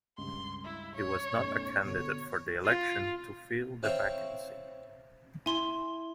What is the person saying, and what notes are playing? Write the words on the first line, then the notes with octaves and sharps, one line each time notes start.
He was not a candidate for the election to fill the vacancy.
C#2 G2 C6
E4
C#5
B1 F#2 A3
B2 D3 A4 C#5
F4
C4 E4 C#5 F5 G5
E4 G#5 C6